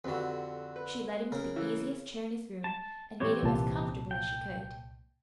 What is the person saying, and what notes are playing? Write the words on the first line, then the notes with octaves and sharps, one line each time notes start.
She led him to the easiest chair in his room and made him as comfortable as she could.
F2 D3 F#4 G4 B4
B4
C#3 A#4
E3
A5
A2 E3 C4 G4 C#5 G#6
C2 A#2 A5
G5